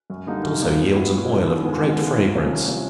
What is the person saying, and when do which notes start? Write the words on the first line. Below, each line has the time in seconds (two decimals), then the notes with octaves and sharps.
It also yields an oil of great fragrance.
0.10 F#2
0.27 D3 G3 A#3 D#4
0.43 F#2
0.61 D3 G3 A#3 D#4
0.78 A#2
0.95 F#3 B3 E4
1.13 A#2
1.29 F#3 B3 E4
1.47 D#2
1.64 D3 F3 G#3 B3
1.82 D#2
1.99 D3 F3 G#3 B3
2.16 C2
2.33 C3 F3 A#3 C#4
2.50 C2
2.67 C3 F3 A#3 C#4